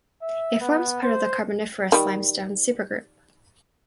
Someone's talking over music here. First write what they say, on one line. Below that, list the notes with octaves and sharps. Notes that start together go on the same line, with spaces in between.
It forms part of the Carboniferous Limestone Supergroup.
E5
B3
C5
D#3 G3